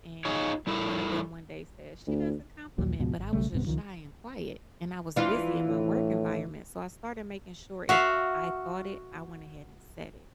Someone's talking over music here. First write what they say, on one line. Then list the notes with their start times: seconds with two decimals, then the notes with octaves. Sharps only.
and one of them one day said, "She doesn't compliment," but I was just shy and quiet, and I was busy in my work environment, so I started making sure, if I thought it, I went ahead and said it,
0.25 D#4 F4 G#4 C#5
0.67 G3 E4 A4 A#4
2.07 D2
2.78 A#1 D#2 A#2 F#3
2.98 C#2 G#2 B2 F3
3.17 G#1
3.33 B1 C#3 G3 A3
3.53 D#1 G2 C3 B3
3.67 C#2 D#3 F3
5.16 E3 D4 F4
5.67 A2
7.89 F#4 E5 F5